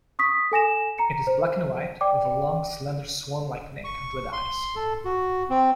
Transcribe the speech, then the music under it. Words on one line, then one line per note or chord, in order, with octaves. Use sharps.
It is black-and-white, with a long, slender, swan-like neck and red eyes.
C#6 D#6 B6
A4 G#5 A#6 E7
A#5 C#7
C5
D5 G5 D6
C#6
C6
A4
F#4
C4